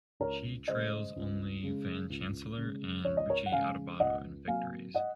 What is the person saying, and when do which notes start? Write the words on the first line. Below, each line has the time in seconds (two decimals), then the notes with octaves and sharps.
She trails only Van Chancellor and Richie Adubato in victories.
0.20 C#2 A#4 C#5
0.68 C#3 G#3 C5 D#5
1.16 C#2
1.63 C#3 G#3
2.10 C#2
2.57 C#3 G#3
3.05 C#2 C#5
3.17 D#5
3.30 A#4 C#5
3.46 F#5
3.52 C#3 G#3 F5 G#5
4.00 C#2 D#5 F#5
4.47 C3 F#3 A#3 F5 G#5
4.95 D#5 F#5